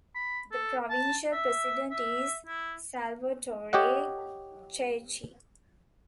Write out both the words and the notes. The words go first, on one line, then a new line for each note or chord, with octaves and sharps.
The provincial president is Salvatore Cherchi.
B5
A4
A5
E5
E5
E4
G4 C#5 D#5 F#5